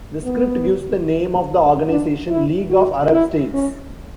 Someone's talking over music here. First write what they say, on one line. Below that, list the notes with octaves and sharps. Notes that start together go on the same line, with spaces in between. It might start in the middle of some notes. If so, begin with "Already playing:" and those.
The script gives the name of the organization: "League of Arab States".
B3
D4
E4
F#4
E4
C#4